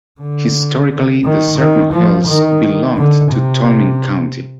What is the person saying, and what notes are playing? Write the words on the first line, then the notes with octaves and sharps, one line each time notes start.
Historically, the Cerkno Hills belonged to Tolmin County.
D3
D#3
D#3
F3
D#3
D3
C3